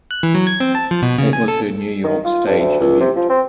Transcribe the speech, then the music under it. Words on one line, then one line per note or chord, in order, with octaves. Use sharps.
It was her New York stage debut.
F#6
E3
F#3
G#6
C4
A5
F3
B2
C#3
G#5
A4
D#3
F4
G2
D2
C#2
C3
F3
C4